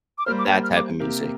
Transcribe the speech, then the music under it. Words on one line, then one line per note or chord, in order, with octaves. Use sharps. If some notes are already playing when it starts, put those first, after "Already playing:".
that type of music.
D6
G3 A#3 G4 C5 F6
D6
G6
F6
D6
C3 A#3 G4